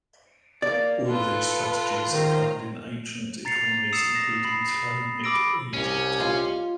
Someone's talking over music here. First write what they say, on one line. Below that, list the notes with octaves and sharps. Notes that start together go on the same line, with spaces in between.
All of these strategies are found in ancient economies including Ptolemaic Egypt.
A#3 D5
F4 A4 B4
D#3 C5 A#5
A#5 A6 C7 C#7 F7
D#6 E6 C7 C#7 E7
A#6
B5 C7
B5 D6 E6 A#6 D7
C2 C#4 G4
F4 C#5 D#5